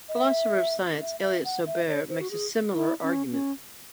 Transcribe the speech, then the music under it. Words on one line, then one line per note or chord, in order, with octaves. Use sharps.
Philosopher of science Elliott Sober makes a similar argument.
D#5
E5
E5
E5
F#5
E5
C#5
C5
F#4
G#4
E4
C#4
C#4